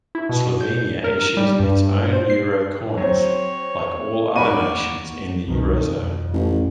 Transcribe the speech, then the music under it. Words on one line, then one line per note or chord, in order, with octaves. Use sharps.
Slovenia issues its own euro coins, like all other nations in the Eurozone.
E4
B2
G6
A#4
G3
G2
C5
C7
F#3 C4 C#5
A#3 D5 F#5 B5 C#6 D#7
C2 B2 D#3
F2
A1